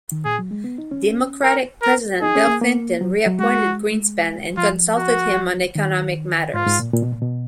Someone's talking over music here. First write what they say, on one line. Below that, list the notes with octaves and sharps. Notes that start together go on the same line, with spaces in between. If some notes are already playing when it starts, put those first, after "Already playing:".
Democratic president Bill Clinton reappointed Greenspan, and consulted him on economic matters.
D#3
A#2 G#4
F#3
G#3
B3
D#4
C#4
A#4
A#4
D#4 G#4
C#4
A#3
A#3
F#3
F#3
G#3 F#4
F3 F4
F#4
D#3
G#2 F4
G#2
A#2
A#2
B2
A#2
B2